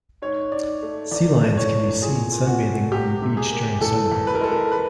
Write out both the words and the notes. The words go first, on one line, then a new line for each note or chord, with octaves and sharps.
Sea lions can be seen sunbathing on the beach during summer.
G#2 C#5
G#2 D5
A3
E2 D5
A3
C#5
E3
A#2 G#4
A#2
F#4
A3
C3 G4
C3
G#4
A#3
E2 A4
E2
B4
A#4
G#3 A4
A#4
B4